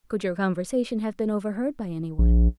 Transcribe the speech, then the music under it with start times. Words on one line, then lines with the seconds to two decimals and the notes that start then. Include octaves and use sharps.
"Could your conversation have been overheard by any one?"
2.19 A#1